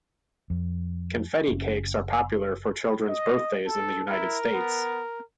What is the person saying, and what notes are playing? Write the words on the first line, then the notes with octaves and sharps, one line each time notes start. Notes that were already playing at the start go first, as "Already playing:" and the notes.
Confetti cakes are popular for children's birthdays in the United States.
F2
F#1 C#4
D#5
A4
E4 A#4
B3